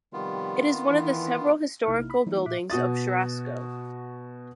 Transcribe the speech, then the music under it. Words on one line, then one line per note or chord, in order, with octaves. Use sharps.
It is one of the several historical buildings of Cherasco.
C3 D#3 F3 G3 B3 F4
E3
A#1 C3 A#3 D#4 E4 F6
B5 B6
E3 F#3 G3 A#3 D#4 E4
A#2 F4 E5 D6 F#6 B6
B2 F#4 D#6 A6